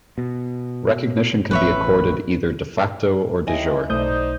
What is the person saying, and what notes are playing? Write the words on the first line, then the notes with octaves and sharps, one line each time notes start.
Recognition can be accorded either "de facto" or "de jure".
B2
A1 B4 C#5 E5
D#2 D#3 E4 D#5 G#5
B1 A3 D#4 C5 D5 D#6 G6